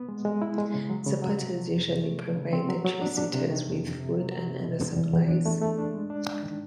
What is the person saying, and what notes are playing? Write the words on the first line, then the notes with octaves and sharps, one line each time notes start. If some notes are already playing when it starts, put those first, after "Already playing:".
Supporters usually provide the tree sitters with food and other supplies.
Already playing: B3
G#3
G#3
E4
G#3
C#3
F#3
C#3
F#3
C3
F3
F2
C3
A3
F3
C#3
C4
F#3
F#3
D4
D4
C3
D#3
F2
F2
C3
F#3
F#3
C3
B2
E2
E2
E2
D4
A3
A3
D4
G#3
D4
D4
D#3